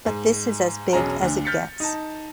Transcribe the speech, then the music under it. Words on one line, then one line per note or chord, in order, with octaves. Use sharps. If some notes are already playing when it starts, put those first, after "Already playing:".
But this is as big as it gets.
G#2
E1 B1 F#3 C#4 G#4 A#5
D2 D3
F6 G6 A6 B6 C#7
D#4 A5